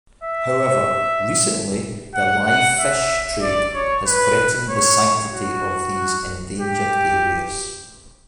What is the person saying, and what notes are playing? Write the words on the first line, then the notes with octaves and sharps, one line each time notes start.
However, recently the live fish trade has threatened the sanctity of these endangered areas.
E5
F#5
F#5
E5
D5
C#5
B4
C#5
F#4
G4